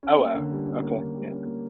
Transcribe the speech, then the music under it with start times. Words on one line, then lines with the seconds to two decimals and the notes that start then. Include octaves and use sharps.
Oh, wow. Okay, yeah.
0.03 C#4
0.18 A#3
0.34 D3
0.51 G3
0.67 C#4
0.82 A#3
0.98 D3
1.14 G3
1.31 C#4
1.45 A#3